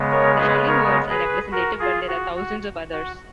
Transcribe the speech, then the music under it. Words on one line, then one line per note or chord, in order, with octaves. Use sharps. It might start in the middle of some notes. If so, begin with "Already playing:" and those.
The following words are representative, but there are thousands of others.
Already playing: C#3 G#3 B3
A#4 C#5
G#4 B4
A#4 C#5
G#4 B4
F#4 A#4
F4 G#4
F#4
F#4
F#4